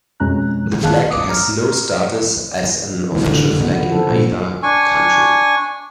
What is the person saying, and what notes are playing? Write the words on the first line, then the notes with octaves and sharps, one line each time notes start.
The flag has no status as an official flag in either country.
F2 B2 G#3 C#4 A#5 F#6
D#3 G#4 F5 A5 F#6
D6 D#6
A#5 F6
E3
D3
C#3
B3
F3
A4
A#2
D4 G#5 C#6